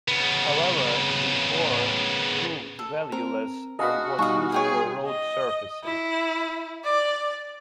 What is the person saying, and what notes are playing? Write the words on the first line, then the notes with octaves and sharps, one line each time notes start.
However, the ore proved valueless and was used for road surfacing.
C#3 B3
A4
C4 A#4
D4 F#4 G#4 D#5 F5 B5
B2 G3 D#4 F5 G#5 C#6 D#6
G#4 C#5 G5 D#6
D#5
E4
D5